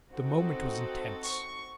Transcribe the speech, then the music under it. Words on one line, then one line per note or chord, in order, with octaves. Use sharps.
The moment was intense.
C4 D#4 F#4 A4
C#6